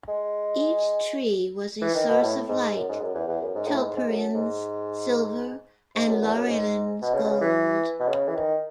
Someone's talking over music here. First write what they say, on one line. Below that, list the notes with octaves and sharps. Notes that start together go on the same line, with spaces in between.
Each tree was a source of light: Telperion's silver and Laurelin's gold.
G#3
E3
D#3
B2
A2
G#2
F#2
G#2
F#2
E2
E2
F#2
G#2
A2
G#2
G#2
F#2
G#2
G#2
F#2
E2
F#2
G#2
B2
C#3
B2
C#3
E3
B2
C#3
E3
D#3